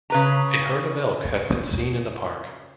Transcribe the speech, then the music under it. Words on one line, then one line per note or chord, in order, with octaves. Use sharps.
A herd of elk have been seen in the park.
C#3 B4 A#5